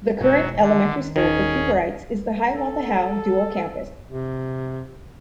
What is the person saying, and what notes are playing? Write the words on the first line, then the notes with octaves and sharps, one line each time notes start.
The current elementary school for Cooperites is the Hiawatha-Howe dual campus.
E1 G#2 B2 F#3
D3 D#3
D#1 D#3 C#4 G#4
A4
C3